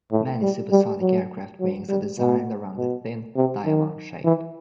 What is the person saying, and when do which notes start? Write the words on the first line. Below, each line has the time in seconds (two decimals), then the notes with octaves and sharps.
Many supersonic aircraft wings are designed around a thin diamond shape.
0.12 A2
0.42 G3
0.71 G3
1.01 F#3
1.60 F#3
1.89 G3
2.18 B2
2.78 B2
3.36 C3
3.65 D#3
4.25 E3